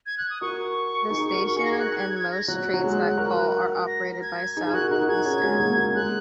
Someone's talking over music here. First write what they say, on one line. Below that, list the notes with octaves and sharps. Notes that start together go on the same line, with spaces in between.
The station and most trains that call are operated by Southeastern.
G#6
F#6
D#6
F#4 A#4 C#6
D#4 G#4
F#4 A#4
D#4 G#4 C#7
A#6
G#6
F#6
G#6
G#6
A#6
F#3 F#6
F#3
G#3
F#4 A#4
A#6
A#6
G#6
D#4 G#4 G#6
G#4
F#4 A#4 F#6
D#4 G#4 F#6
F#4
D#4 G#4 G#6
C#4 F#4
G#3 C#4
F#3 A#3
F#3
G#3 F#6